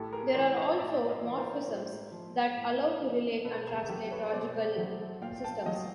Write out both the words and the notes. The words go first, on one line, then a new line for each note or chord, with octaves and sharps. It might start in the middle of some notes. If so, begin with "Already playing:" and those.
There are also morphisms that allow to relate and translate logical systems.
Already playing: A2 G4 A4
G#4 A#4
E3 C5 D5
C#5 D#5
A2 D5 E5
D#5 F5
E3
A#4 C5
A2
F3
A2
F3
B2 A4 B4
G#4 A#4
F#3 G4 A4
B4 C#5
B2 C5 D5
F#3
A#2 F5 G5
G5 A5
F#3 D#5 F5